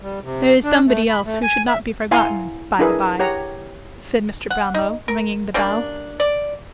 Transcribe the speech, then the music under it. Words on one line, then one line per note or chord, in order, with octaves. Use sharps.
'There is somebody else who should not be forgotten, by the bye,' said Mr. Brownlow, ringing the bell.
G3
C3
D4
A3
B5
A3
G#5
E5
E4 F5 F#5 G#5 A#5 C6
D4 E4 G#4 A#4 B4
G4 C#5 F#5 A#5
F#5
D#4
A#4
G3 A#3 C#4 D4
D5